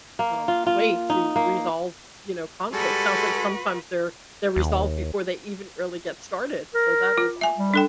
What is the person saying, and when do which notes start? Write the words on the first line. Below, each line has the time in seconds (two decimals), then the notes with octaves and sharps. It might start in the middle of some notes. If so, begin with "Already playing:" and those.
um, way to resolve, you know, conflict. Sounds like sometimes they're they're resolved before they even really get started, so that is awesome.
0.19 A#3
0.48 F4
0.67 F4
1.10 D#4
1.36 A#3
2.73 G3 G#3 F#4 A4 B4
4.56 D#2
6.74 A#4
7.18 F4
7.41 E5 G#5
7.57 G3
7.74 D4 A4 G5